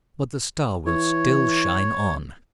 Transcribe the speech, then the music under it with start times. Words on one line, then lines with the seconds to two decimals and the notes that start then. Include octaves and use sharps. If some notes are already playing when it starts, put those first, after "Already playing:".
But the star will still shine on.
0.86 E3 C#5